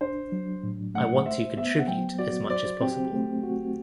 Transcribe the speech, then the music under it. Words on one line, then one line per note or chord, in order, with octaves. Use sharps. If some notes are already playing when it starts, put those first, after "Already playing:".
I want to contribute as much as possible.
D4 C5
F#3
A2
A3 F#5
C5 E5
B3 E5
F#5
F#3 G5
F#4 D5
C5 D5
C4 G4
A3
F#4